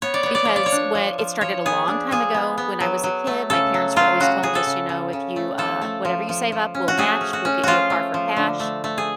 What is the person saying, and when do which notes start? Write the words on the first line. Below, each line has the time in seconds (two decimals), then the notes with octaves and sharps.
because whe it started a long time ago when I was a kid, my parents were always told us, you know, "If you, uh whatever you save up we'll match, we'll get you a car for cash."
0.02 B3 C#5
0.14 D5
0.23 B3 C#5
0.35 D5
0.45 F3 C#5
0.56 D5
0.66 C#5
0.72 D4
0.95 F3
1.18 F3
1.41 F3 C#5
1.65 B3 G#4
1.88 D4
2.11 F3 G#4
2.34 B3
2.58 B3
2.80 F#3
3.03 F#3
3.27 A3
3.50 C#3 A4
3.74 F#3
3.96 F#3 F4
4.20 C#3 F#4
4.43 C#3 G#4
4.55 A4
4.66 C#3
4.89 C#3
5.13 C#3
5.36 A3
5.58 F3 A4
5.82 A3
6.05 F3
6.29 F3
6.52 F3
6.75 C#4
6.88 F#4
6.98 A3 G#4
7.21 C#4
7.33 F#4
7.45 C#4
7.63 F3 F4 F#4
7.90 A3
8.14 F3
8.37 D3
8.60 A3
8.84 A3
8.98 G#4